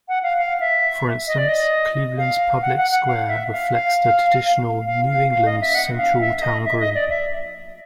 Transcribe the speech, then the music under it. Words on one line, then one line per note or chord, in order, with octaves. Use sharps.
For instance, Cleveland's public square reflects the traditional New England central town green.
F#5
F5
F5
E5
D#5
D5
D#5
F5
F#5
F#5
F#5
F5
E5
F5
F5
F5
F5
F5
D#5
E5
F#5
F5
E5
E5
D#5
E5
D#5
D5
E5